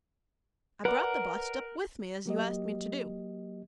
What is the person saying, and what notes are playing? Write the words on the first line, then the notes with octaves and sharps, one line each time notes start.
I brought the bust up with me, as you asked me to do.
A#4 B4 D5 F#5
F#3 A#3 G4 D#5